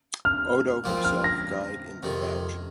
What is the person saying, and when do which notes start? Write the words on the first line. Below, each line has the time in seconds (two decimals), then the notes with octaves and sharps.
Odo himself died in the rout.
0.25 F6
0.84 A#2 F3 C4
1.04 F6
1.24 A#6
2.03 F2 C3 D#3